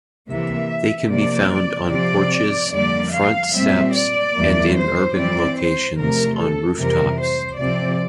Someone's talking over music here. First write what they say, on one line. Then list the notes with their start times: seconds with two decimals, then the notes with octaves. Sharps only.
They can be found on porches, front steps, and in urban locations, on rooftops.
0.28 C3 E3 A#3 E5
1.09 C3 F3 A#3 D5
1.50 D5
1.90 C3 F3 C4 D5
2.72 F2 D3 G3 A#3 D5
3.13 F5
3.53 A#2 G3 C4 E5
3.94 D5
4.34 E2 E3 G3 A#3
4.75 C5
5.16 G2 E3 G3 C4 D5
5.56 C5
5.97 E2 C3 F3 A3 A#4
6.38 A4
6.78 F2 C3 E3 G3 A#4
7.19 C5
7.59 C3 F3 C4 D5